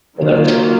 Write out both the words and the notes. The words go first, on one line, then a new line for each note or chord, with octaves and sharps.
So, that's
D#3 F#3 A#3 F4